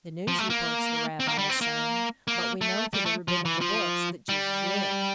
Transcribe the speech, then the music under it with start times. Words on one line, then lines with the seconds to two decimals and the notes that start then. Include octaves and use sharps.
The News reports the Rabbi as saying, "But we know through the Rabbinical Books that Jesus lived."
0.28 F3
0.39 A3
0.50 A#3
1.20 C4
1.28 A#3
1.38 G3
1.50 C4
1.61 A#3
2.28 A#3
2.61 A3
2.94 G3
3.06 A3
3.28 F3
3.45 E3
3.61 F3
4.29 G3